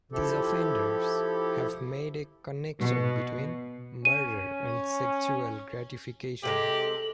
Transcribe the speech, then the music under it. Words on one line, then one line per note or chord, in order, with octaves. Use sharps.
These offenders have made a connection between murder and sexual gratification.
F3 E4 G4 A4
B2
C#4 D#7
C3 F3 G#3 G4 A4 F#7